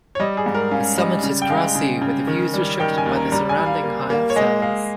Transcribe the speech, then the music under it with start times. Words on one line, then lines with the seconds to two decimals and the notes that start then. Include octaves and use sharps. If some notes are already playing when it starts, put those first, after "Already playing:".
The summit is grassy with views restricted by the surrounding higher fells.
0.15 C#5
0.20 G3 D#5
0.37 G#4
0.46 G#2
0.55 A#4
0.71 C#4 F5
0.98 G3 D#5
1.23 C#3
1.42 G5
1.50 G#3 F5
1.75 C#3
2.02 C#3
2.27 D#3
2.54 G3
2.80 D#3 G5
2.98 G#5
3.06 D#2
3.15 A#5
3.32 G3 A#5
3.49 G#5
3.57 G3
3.66 F5
3.83 A#3
4.10 A#3
4.30 C#5
4.36 G#3 D#5
4.62 G#3 F5